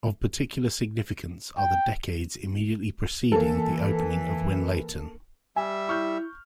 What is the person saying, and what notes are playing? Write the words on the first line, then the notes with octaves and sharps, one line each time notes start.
Of particular significance are the decades immediately preceding the opening of Winlaton.
G5
E3 A#3 A4
G3 E5 G#5
E4 C#6 F6 G6